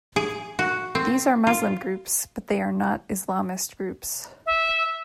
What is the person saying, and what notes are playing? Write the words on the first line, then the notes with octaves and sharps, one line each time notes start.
These are Muslim groups, but they are not Islamist groups.
G#4
F#4
C4
F4
E5